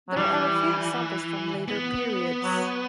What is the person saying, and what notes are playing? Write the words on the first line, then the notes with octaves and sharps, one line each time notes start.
There are a few examples from later periods.
F#3
E3 G3
B3
F#3